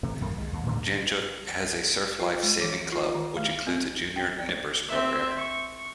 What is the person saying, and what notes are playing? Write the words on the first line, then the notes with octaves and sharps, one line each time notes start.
Jan Juc has a Surf Life Saving Club which includes a junior "Nippers" program.
C3 E3 A3
A1 F#2 D#3 A#3
C2 G#3
D#2
A2 D3 E3 G3
F4
G#3
E3
F4
D#3
A3
C4
G5
D5
C4 E5
C#6